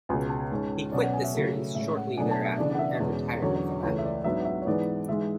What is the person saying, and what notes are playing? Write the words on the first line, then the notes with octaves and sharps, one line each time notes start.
He quit the series shortly thereafter and retired from acting.
C#2 B2 G#3 G#5
A5
G#2 G#3 C#4
B2 F#3 C#4 D5
F#5
G#5
E5
C#3 F#3 A3 C#4
A2 G#3 C#4 E5
F#5
B2 F#3 A3 D4 G#5
A5
E5
C#3 E3 B3 D4 D5
D5
F#5
E5
D5
E2 B2 G#3 C#4
E2 D3 F#3 C#4 C#5
C#5
C#5
C#2 C#3 E3 A3 C#5
E5
D5
G#2 F#3 B3 D4 E5
E5
C#5
G#2 E3 G#3 B3 D5
G#2 E3 G#3 E5